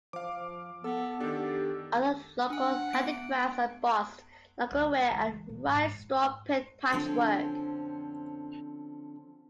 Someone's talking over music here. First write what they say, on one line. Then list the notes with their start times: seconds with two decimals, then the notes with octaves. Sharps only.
Other local handicrafts are embossed lacquerware and rice straw pith patchwork.
0.13 F3 F5 D6
0.84 B3 A4 E6
1.20 D#3 D4 G4 A4
2.50 D4 F#5 G#5
2.93 B3 F#6 D7
4.72 C#2
5.10 E3 G#3
5.49 A#2
5.65 G#2 E3
6.92 D3 F3 C4 C#4